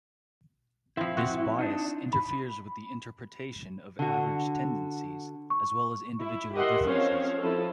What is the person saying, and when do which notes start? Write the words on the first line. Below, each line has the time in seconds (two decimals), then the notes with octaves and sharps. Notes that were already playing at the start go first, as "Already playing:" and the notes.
This bias interferes with the interpretation of average tendencies as well as individual differences.
0.97 F3 C4 E4
1.17 C4 F#4
1.59 D4 D#4
2.13 B5
3.99 D3 F#4
5.50 C#6
6.21 E4
6.54 G4 A#4 D#5 E5 F#5 C6
6.87 F3 C4 C#4 C5 C#5 F5
7.39 F3 E4 F4 A4